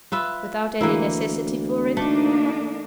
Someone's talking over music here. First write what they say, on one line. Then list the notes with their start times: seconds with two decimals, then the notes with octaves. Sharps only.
"Without any necessity for it?"
0.12 F4 B4 E5
0.81 D2 E3 A#3 E4
1.97 A3 A#3 D4 D#4